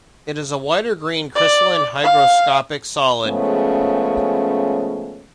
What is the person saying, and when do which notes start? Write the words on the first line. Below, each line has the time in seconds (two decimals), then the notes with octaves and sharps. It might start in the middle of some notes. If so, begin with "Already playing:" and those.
It is a white or green, crystalline, hygroscopic solid.
1.35 D5
2.03 F5
3.25 C#3 F3 G#3 A3 B3 C#4